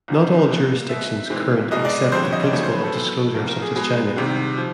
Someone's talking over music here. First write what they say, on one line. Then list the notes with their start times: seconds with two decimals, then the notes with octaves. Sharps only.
Not all jurisdictions current accept the principle of disclosure such as China.
0.08 C2 C3 F3
0.48 B2 G3 A#3
0.89 B2 G#3 C4 E5
1.30 G#2 E3 G#3 C4
1.71 C2 B2 G#3 D#5
1.85 D5
2.12 F2 D3 G3 C4 C5
2.22 C#5
2.33 D#5
2.43 D5
2.53 D#2 C#3 F#3 A3 C#5
2.63 C5
2.74 B4
2.83 A4
2.94 E2 B2 F#3 B3
3.35 C2 C3 F3 A3 A#4
3.48 A#4
3.62 G#4
3.75 B2 G#3 B3 G#4
4.16 C2 C3 D#3 G3 G4
4.57 F3